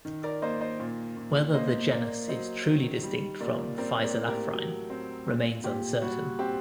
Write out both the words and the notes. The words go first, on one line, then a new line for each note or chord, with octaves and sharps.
Whether the genus is truly distinct from "Phyzelaphryne" remains uncertain.
D#3
A#4 D5
A#3 C5 D#5
C5 D#5
A#2
A#2
A#3 C5 D#5
A#3 A#4 D5
F#3 C5 D#5
D#3
G3
A#2 A#4 D5
C4 A#4 D5
A#4 D5
A2
G4 A#4
F#3
C4
A#2
A#2 G4
G3 F#4
C4 G4